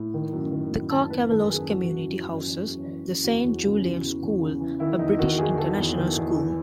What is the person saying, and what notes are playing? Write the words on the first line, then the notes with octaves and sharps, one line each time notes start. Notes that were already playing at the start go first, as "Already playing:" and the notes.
The Carcavelos community houses the Saint Julian's School, a British international school.
Already playing: A2
D#3
F#2
D#3
F#2
D#3 A5
F#2 B4
D#3 A4
F#2 G#4
E3 F#4
F#2
E3
F#2
E3
F#2
E3
F#2
E2 F#4
E2
C#3
E3
E2
E2
C#3
E3
D#3 E4
E2 D#4
D#3 F#4
F#4
E2 G#4
D#3 A4
E2
D#3
E2
E3